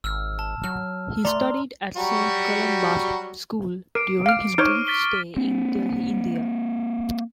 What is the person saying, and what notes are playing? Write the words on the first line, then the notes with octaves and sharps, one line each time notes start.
He studied at Saint Columba's School during his brief stay in Delhi, India.
G#1 E6 F6
A5
F#3 F6
A3 D5 A#5 C6
F#3 G3 F#4
A#4 D6 C7 D7
F5 F6 D7
D#4 C5 C#5 C#6 D6 F6
A6 B6 G7
A#3 C4